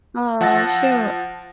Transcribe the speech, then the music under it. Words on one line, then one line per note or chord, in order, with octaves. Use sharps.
Aw, shoot.
F3 F#5 A5 E6 A6 A#6